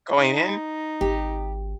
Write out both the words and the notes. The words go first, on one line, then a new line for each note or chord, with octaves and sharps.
Going in?
D#4
G#1 G4